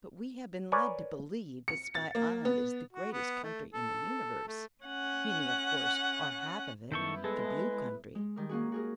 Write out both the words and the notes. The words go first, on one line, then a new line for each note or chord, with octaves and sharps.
"But we have been led to believe that Sky Island is the greatest country in the universe--meaning, of course, our half of it, the Blue Country."
A#4 B4 C#5 D5 G#5
C#7
A6
A#3
B3
F#4
B3
A3
A4
A3
C#4 F#5
F#2 D#3 G3 B3 E4 A4 C#6 G6
G#3 G#4 A4 B4
G#3
D#3 G3 A#4
A#3 C#4 F#4 G#4
F#4 G#4 A#4